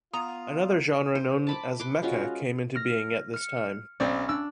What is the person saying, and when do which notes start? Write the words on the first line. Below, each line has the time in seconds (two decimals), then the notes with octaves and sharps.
Another genre known as mecha came into being at this time.
0.14 B3 F4 A#5 D#6
1.15 C5
1.47 A5 B5 D6
1.80 B4 C6 D6
2.03 G#3 C#4 F4 F#4
2.75 F6 A#6
3.34 F6 C#7
4.00 B1 C4 C#4 D5
4.29 D4 E6